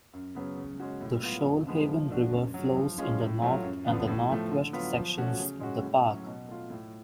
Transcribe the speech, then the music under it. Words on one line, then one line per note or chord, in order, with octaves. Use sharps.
The Shoalhaven River flows in the north and northwest sections of the park.
F#2
C#3 F#3 B3
C#3
G#3 C#4 F#4
A2
F#3 B3 F4
F2
D3 F3 G#3 B3
F3
A3 D4 F#4
F#2
C#3 F#3
F3
G#3 C#4 F4
A2
F#3 A3 F4
F#2
D3 F3 B3 D4
A2
F3 A3
D3
F#3 B3 F4
F3
A3 C#4 F#4
C#3
G#3 C#4 F#4
A2
F#3 C#4
B2
A3 F4
A2